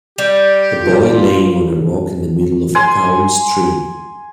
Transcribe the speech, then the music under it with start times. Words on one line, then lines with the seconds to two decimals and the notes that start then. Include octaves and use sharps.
A boy laying on a rock in the middle of a calm stream.
0.18 G3 G4
0.80 F4
2.75 G#5 C6